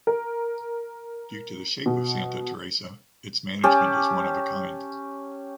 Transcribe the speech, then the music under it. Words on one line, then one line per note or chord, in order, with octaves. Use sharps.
Due to the shape of Santa Teresa, its management is one of a kind.
A#4
B2
C#4 G4 A5